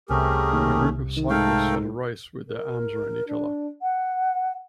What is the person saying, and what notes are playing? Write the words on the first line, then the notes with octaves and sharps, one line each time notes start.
A group of cyclists at a race with their arms around each other.
C2 C3 A3 C#4 G4 G#4 A#4
D#2
D#3
G#2 A3 A4 A#4 F5 G5
A#4
D4
F#5